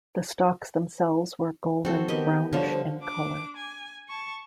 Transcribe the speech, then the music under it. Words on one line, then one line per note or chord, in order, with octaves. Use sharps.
The stalks themselves were golden brownish in colour.
F3 C4 F#4 A4
D#3 B3 G4 A#4 D#5
D3 F3 G3 F#4 C#5
C5
D4 D6
G#5
A5 C#6